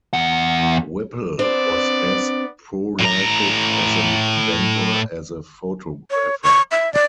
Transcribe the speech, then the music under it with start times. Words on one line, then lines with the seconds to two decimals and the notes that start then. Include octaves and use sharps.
Whipple was as prolific as an inventor as a photographer.
0.13 E2 F#5
1.39 B3 C4 D4 D5
3.00 A2 A#5
6.11 C#5
6.43 C#6
6.71 E5
6.93 D5